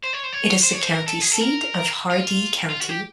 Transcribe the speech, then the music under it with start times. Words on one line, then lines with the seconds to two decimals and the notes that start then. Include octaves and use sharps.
It is the county seat of Hardee County.
0.03 C5
0.13 C#5
0.23 C5
0.32 C#5
0.63 C5
0.73 C#5
0.82 C5
0.92 A#4
1.07 A4
1.22 G#4
1.32 A4
1.42 A#4
2.11 F4
2.70 F4
2.80 F#4
2.89 G4